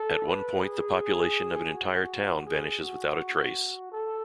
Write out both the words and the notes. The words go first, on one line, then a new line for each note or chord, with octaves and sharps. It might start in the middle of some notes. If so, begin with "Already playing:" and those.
At one point, the population of an entire town vanishes without a trace.
Already playing: A4
B4
G#4
F#4
G#4
F#4
A4